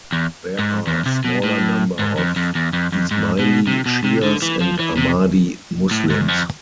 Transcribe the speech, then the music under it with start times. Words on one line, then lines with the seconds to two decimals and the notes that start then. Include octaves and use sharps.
There are smaller number of Ismaili Shias and Ahmadi Muslims.
0.12 E2
0.59 G#2
0.87 E2
1.06 C3
1.25 B2
1.44 A2
1.99 G#2
2.18 F2
2.36 F2
2.55 E2
2.73 F2
2.92 F2
3.11 G#2
3.39 B2
3.67 C3
3.86 B2
4.04 C3
4.23 D3
4.42 E3
4.61 F3
4.79 E3
4.97 C3
5.91 A2
6.10 G#2
6.21 E2
6.28 F2